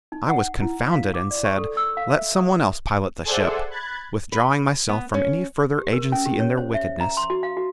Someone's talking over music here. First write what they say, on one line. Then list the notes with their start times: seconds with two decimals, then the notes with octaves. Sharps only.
I was confounded and said, 'Let some one else pilot the ship;' withdrawing myself from any further agency in their wickedness.
0.12 D#4
0.30 F#5
0.62 E4
0.92 F5
1.14 D6
1.31 D5
1.45 C#6
1.58 A4
1.77 E6
1.97 F5
2.14 E5
2.36 D#6
3.25 G#4 A4 C5 D5 E5 F#5
3.70 B5 F#6 G#6 A6
4.32 B4
4.89 B3
5.14 C#4
5.78 G4
5.93 A#4
6.12 C#4
6.26 G4
6.40 C#5
6.57 C5
6.74 E5
7.01 A#5
7.17 C6
7.30 F#4
7.43 F5
7.57 F#4